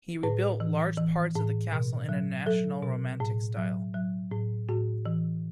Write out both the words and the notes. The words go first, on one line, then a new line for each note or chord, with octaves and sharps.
He rebuilt large parts of the castle in a national romantic style.
A2 B4
E3
E3
A2
B2
F#3
F#3 A4
B2
A2
F#3
F#3
A2
A2 F#4
E3